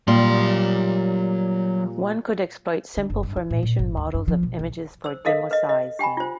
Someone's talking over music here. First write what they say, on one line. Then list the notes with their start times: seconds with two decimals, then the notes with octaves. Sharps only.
One could exploit simple formation models of images for demosaicing.
0.08 A#2 F#3 G3 G4 C6
2.97 D3
3.10 F#1
3.23 G2
3.37 E4
3.51 A#2
3.63 A#2
3.79 G#1
3.97 D2
4.14 G2
4.28 F3
4.43 B2
4.59 B1
5.04 C5 E6
5.25 A4 A#4 D#5 F5
5.51 B4 D#5
5.69 D#5
5.99 G4 G5 G#5 B5
6.17 F4 C5